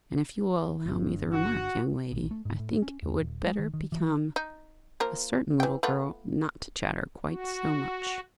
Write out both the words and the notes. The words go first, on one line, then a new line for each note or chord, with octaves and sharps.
"And, if you will allow me the remark, young lady, I think it would better become a certain little girl, not to chatter quite so much!"
G1 G2
F#4
A#1
A3
G#2
A2
C#4
E2
D#1
G#3
D#3
D#3
E3
D#4
F3 A#3 A#4
E3 G5
A3 B3 F4
F#4